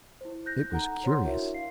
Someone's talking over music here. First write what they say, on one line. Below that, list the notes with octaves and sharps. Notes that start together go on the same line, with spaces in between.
It was curious.
E4 C5
F#6 G6 A#6
D#4 A4 F#5 A#5
C5 C#5 F#5 C6
D4 E4 F#4 A#4 C#5 E5
F5 C7